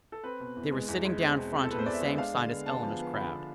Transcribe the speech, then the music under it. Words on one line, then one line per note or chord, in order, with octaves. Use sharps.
They were sitting down front on the same side as Eleanor's crowd.
A4
C4 B4
B2
E2
G#3
E2
G#3
C4
B2
C4
A4
B2 B4
C5
E2 D5
E5
G#3
D4 F5
D3
B3
B3 A5
F3
B3
D3 B5
B3